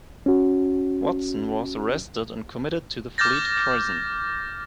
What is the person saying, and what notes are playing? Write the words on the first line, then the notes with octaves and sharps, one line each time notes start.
Watson was arrested and committed to the Fleet Prison.
C#4 F#4
D6 F6 G6 A6 A#6